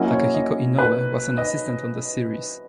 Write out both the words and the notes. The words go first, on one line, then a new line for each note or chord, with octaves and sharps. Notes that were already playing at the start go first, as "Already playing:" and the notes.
Takehiko Inoue was an assistant on the series.
Already playing: F#3 A#3 C#4 E4 D#5
C#5
D#5
B4
D#5